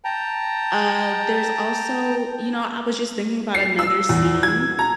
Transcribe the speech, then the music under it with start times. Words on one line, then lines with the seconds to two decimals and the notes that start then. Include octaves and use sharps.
Uh, there's also you know, I was just thinking about another scene,
0.04 G5 A5 A#5
3.55 C7
3.79 E6
4.09 E2
4.43 G#6
4.79 A#5